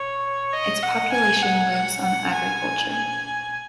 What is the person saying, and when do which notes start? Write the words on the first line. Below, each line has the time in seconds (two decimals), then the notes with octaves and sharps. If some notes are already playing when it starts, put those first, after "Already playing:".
Its population lives on agriculture.
Already playing: C#5
0.53 D#5
0.83 F#5
1.12 G#5
1.42 F#5
1.73 F#5
2.03 F#5
2.33 G#5
2.93 G#5